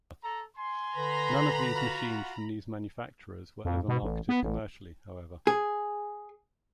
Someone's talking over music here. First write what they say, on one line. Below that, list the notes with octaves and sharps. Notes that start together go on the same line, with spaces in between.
None of these machines from these manufacturers were ever marketed commercially, however.
A4 A#5
G#5 C6
D3 B4 A#5 B5
F4 F#4
F2
B2
A1
B3
A1
G#4